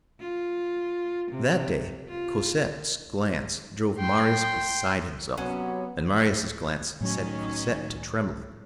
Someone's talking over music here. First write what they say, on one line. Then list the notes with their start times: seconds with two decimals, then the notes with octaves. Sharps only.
That day, Cosette's glance drove Marius beside himself, and Marius' glance set Cosette to trembling.
0.20 F4
1.31 C3
2.08 F4
3.99 G5 C6
5.37 C3 F#3 B3 C#4 F#5
7.01 A2 D#3 F#3 C#4